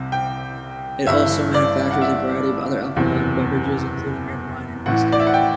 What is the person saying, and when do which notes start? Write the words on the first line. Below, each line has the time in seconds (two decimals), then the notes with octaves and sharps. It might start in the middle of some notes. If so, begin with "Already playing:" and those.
It also manufactures a variety of other alcoholic beverages including red wine and whiskey.
Already playing: C2 C3
0.12 G5
1.07 G1 G2 E3 E5
1.54 D5
1.91 F#5
2.01 E5
2.96 F#1 E2 C3 E3
4.86 A1 A2 E3 F#5
5.12 D5
5.20 E5
5.27 F#5
5.34 G5